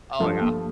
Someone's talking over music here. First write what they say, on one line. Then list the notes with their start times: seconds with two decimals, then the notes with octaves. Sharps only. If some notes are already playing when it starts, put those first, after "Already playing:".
Oh, yeah.
0.19 G2 F3 A3 D4
0.40 A#3